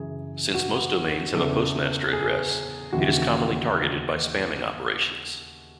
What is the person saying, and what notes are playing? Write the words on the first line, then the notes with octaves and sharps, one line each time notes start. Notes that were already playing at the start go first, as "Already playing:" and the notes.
Since most domains have a postmaster address, it is commonly targeted by spamming operations.
Already playing: F#2 C#3 E3 G#4
F#4
E2 C#3 E3 A4
G#4
D#2 C#3 E3 F#4